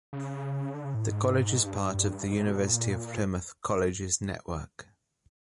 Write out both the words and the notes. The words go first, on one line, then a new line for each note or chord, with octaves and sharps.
The college is part of The University of Plymouth Colleges network.
C#3
D3
C#3
A2
G#2
G2
G#2
A2
B2
A#2